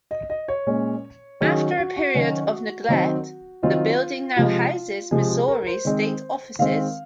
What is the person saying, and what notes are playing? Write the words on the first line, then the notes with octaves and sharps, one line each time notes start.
After a period of neglect, the building now houses Missouri state offices.
D#5
D#5
C#5
A#2 G#3 C#4
D#3 F#3 C#4 G#4
F#4
F#4
D#3 F#3 C#4
D#3 F#3 C4 D#4
D#3 F#3 C4 D#4 F4
C3 F3 G#3 F4
C3 F3 G#3 G#4
G#4
A#4
A#4
C5
D#3 G#3 C4
D#3 G#3 C4 F5